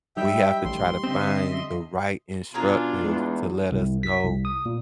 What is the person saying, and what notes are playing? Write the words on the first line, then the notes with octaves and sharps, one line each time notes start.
we have to try to find the right instructors to let us know,
G3 D#4 G4 E5 G5
A1 C6
D3 C4 D#5 E5
B2 C#4 D4 F4 G#4 A#5
E2 G#3
C2
B6
C2
D#6
A#2